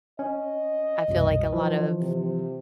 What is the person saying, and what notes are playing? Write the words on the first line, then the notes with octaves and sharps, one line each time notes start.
I feel like, a lot of
C#4 D#5
C2 F#2 B2
E3 F3
C3